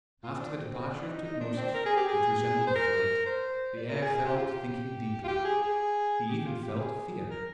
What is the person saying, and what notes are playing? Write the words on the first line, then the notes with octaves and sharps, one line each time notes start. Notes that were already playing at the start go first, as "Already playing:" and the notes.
After the departure of Tutmosis, which resembled a flight, the heir fell to thinking deeply; he even felt fear.
F4
C4
D4
C4
C4
D4
D#4
D#4
D4
D4
C4
A#4
G#4
G4
G#4
C5
A#4
C5
D5
A#4
G#4
G#4
G4
F4
G4
F4
G4
G#4
G#4
G4
F4
G4
G#4
A#4